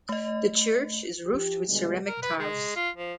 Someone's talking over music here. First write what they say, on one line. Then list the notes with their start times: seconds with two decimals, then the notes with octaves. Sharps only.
The church is roofed with ceramic tiles.
0.09 A3 D#5
1.26 F3 G4
1.68 G2 B2 D3 G3 G#3
2.08 A#4
2.23 B4
2.39 G#3
2.76 F4
2.97 F3